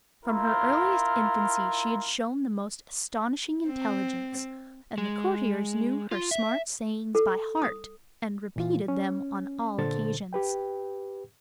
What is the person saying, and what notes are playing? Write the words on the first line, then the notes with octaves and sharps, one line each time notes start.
From her earliest infancy she had shown the most astonishing intelligence, and the courtiers knew her smart sayings by heart, and repeated them on all occasions.
E4 F4 A#4
C4
G#3
F4
E5
A4
D#6
A#2 E3 F4
C#4
A#2 D3 A4 C5 A6
G4 B4 G5